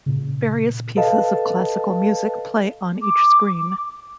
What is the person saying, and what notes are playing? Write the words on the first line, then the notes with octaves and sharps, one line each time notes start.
Various pieces of classical music play on each screen.
A#2 C#3
A4 B4 D#5 F5 A5
D6